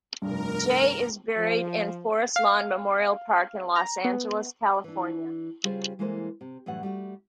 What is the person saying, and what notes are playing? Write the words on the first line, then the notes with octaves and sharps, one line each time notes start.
Jay is buried in Forest Lawn Memorial Park in Los Angeles, California.
F1 G2 A#4
F3
F5
A#5
B3
E3 D4
C#3 G3 F4 G#4 C5
E3 G#3 A#3 A4 B4 C5
C3
F#2 A2 E3 G3 F#5
G3 A3 F#4